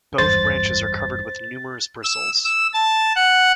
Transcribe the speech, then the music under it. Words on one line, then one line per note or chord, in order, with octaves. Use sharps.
Both branches are covered with numerous bristles.
G#1 E2 G2 C5 A6
E6
E6
A5
F#5